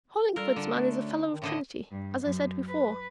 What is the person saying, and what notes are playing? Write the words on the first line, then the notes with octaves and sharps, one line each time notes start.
"Hollingford's man is a Fellow of Trinity, as I said before."
G3 D4 F4 A4 A#4
D3 G3
D2 A3 C#4 D4
D#3
A2 D3 A3 A#3 D#5
G2
F#2
B4